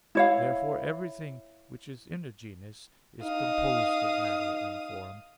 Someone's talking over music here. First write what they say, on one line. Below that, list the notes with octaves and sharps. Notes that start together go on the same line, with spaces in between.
Therefore everything which is in a genus is composed of matter and form.
E4 C#5 F5
D#4 F5 D#6